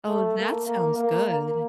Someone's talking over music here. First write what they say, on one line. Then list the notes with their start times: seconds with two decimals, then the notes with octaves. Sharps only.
Oh, that sounds good.
0.08 A3
0.38 A#3
0.67 A#3
0.98 A#3
1.27 A#3